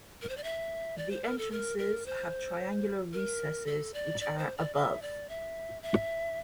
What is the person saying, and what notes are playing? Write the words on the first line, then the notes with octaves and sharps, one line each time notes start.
The entrances have triangular recesses which are above.
A#4
C5
D5
E5
D5
C5
A#4
A4
A#4
A#4
C5
A#4
A4
D5
D5
C5
D5
E5
D5
E5
E5